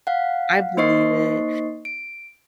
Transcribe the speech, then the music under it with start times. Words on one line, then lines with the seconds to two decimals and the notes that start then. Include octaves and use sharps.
I believe it.
0.07 F5 F#5
0.77 A#3 D#4 C5 D#5 C#6 C7
1.85 D7